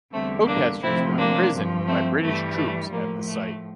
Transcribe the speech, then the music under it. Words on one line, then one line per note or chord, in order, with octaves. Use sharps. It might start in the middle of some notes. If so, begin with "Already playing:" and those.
Protesters were imprisoned by British troops at the site.
E2 D3 G3 A3 C4
A#3 D4
D2 C3 F3 C4 E4
A#3 D4
G2 F3
A3 C4
G2 E3 G3 A3
A3
A2 F3 A#3
A3